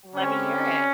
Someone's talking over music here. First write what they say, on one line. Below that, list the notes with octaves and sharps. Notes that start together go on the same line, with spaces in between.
Let me hear it.
D3 G3 C4 C#4